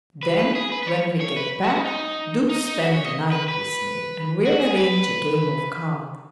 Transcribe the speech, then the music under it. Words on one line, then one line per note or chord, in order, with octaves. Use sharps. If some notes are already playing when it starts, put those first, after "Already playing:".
Then when we get back, do spend the night with me and we'll arrange a game of cards.
B4
B4
G#4
B4
B4
C#5
C#5
B4
F#4
D#4
D#4
D#4
D#4
F#4
C#5
D#5
B4
B4
F#4
G#4
B4